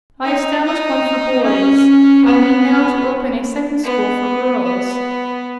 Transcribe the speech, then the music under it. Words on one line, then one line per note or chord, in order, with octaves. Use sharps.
I established one for boys: I mean now to open a second school for girls.
D#4
D#4
C#4
B3
B3
B3